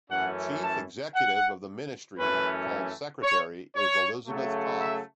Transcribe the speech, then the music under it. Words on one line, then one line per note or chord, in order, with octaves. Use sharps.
The chief executive of the ministry, called Secretary, is Elizabeth Koff.
F#2 E3 A3 C#4 F#5
A5
F#5
F#2 E3 A3 C#4 B4
C#5
C#5
C#3 F#3 A3
E5